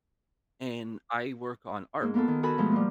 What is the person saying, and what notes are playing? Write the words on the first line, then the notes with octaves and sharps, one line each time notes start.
And I work on art.
G#2 A#3
A#3 B3 F4 A4
D#3
F#4 A4 A#4 G#5 B5 E6
B2 F3 G#3 A3
G3 A#3